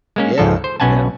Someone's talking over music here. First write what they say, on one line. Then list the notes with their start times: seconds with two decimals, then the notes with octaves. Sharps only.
Yeah. Yep.
0.16 G#3 A#3 C#4
0.38 C#2 G#2 F3 A4
0.64 C5
0.80 B1 B2 C#4 F#5 G#5 A5